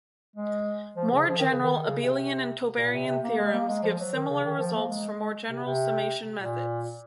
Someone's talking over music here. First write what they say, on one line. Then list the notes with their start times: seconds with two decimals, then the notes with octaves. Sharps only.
More general abelian and tauberian theorems give similar results for more general summation methods.
0.36 G#3
0.97 F3
1.12 C#3
1.27 F3
1.39 D#3
1.51 C#3
1.63 D#3
1.87 C#3
2.02 C3
2.77 A#2
2.93 C3
3.08 C3
3.23 A#3
3.38 G#3
3.53 A#3
3.68 G#3
3.83 F3
3.98 F#3
4.14 D#3
4.29 C#3
4.44 D#3
4.59 F3
4.74 A#3
4.89 G#3
5.49 C3
5.64 C3
6.40 A#2